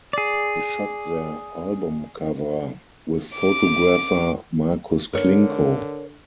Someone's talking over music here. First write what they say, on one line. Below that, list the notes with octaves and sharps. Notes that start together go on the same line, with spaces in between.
They shot their album cover with photographer Markus Klinko.
G#4 D5
D6
D3 A#4 C#5